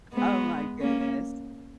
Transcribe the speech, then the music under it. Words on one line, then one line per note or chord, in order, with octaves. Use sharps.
Oh my goodness.
G#3 B3
A#3 C#4